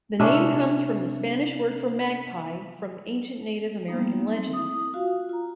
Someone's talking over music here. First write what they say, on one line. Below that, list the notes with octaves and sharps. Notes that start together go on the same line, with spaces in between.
The name comes from the Spanish word for magpie from ancient Native American legends.
C3 C#4 D4 E4
G3 A#3 B3 D#4
C4
E4 D#6
F4 F#4 F5
F4 A#5